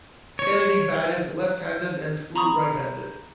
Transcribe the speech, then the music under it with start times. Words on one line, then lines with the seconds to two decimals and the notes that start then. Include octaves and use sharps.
Kennedy batted left-handed and threw right-handed.
0.39 C#5
2.35 A#5 B5 C#6 D#6